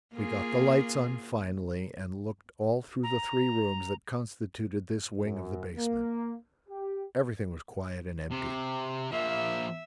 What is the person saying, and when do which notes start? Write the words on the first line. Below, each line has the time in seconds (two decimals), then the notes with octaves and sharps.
We got the lights on finally and looked all through the three rooms that constituted this wing of the basement. Everything was quiet and empty.
0.14 A#3 F4 G#4
3.03 A#5
5.24 F#2
5.77 A#3
6.69 G4
8.31 C3
9.12 F3 A#3 E5